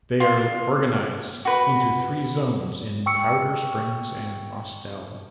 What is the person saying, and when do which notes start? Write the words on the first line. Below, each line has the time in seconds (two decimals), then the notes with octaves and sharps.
They are organized into three zones in Powder Springs and Austell.
0.20 F4
1.45 F#4 B4
3.06 G5 C#6 E6 C#7